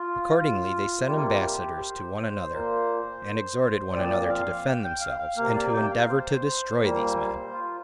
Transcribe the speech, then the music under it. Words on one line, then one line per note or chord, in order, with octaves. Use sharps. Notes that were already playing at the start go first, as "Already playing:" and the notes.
Accordingly they sent ambassadors to one another, and exhorted one another to defend themselves, and to endeavor to destroy these men.
Already playing: F4
C3 G3 A#3 F4
G4
C5
A#2 A#3
A#2 F3 C4 D5
F5
G5
G5
F5
F5
C3 A#3 F5
D5
G5
F5
C5
A#2 G3 A#3
F4